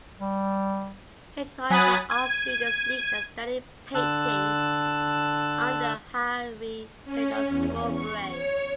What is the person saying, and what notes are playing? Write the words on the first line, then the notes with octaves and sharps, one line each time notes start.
He joined the Art Students League and studied painting under Harry Siddons Mowbray.
G3
F#3 G#5 B5 D#6 F#6 A6
G#6 D#7
D3 A5 E6 F#6
C#4
E2
C#6
C#5